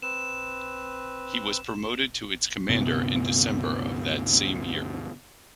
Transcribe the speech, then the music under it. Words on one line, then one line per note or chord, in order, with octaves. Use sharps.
He was promoted to its commander in December of that same year.
C4 B4 E7
D2 G2 C3 B3